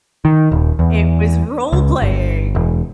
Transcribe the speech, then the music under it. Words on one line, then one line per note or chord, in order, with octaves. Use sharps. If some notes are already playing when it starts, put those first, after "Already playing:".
It was role playing.
D#3
D#1
E2
C#2
G1
E1